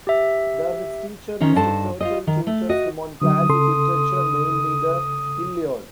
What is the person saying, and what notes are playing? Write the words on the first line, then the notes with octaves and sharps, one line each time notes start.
There, his teacher, Mr. Tuttle, tutors him on classic literature, mainly the "Iliad".
G4 E5
D#3 C#4 D#4 C5
G2 D#4 A4 C5 A5
F4 C5 D#5
D#3
A3
F#4 D#5
D3 F#3 D#6
C#3 A4 C6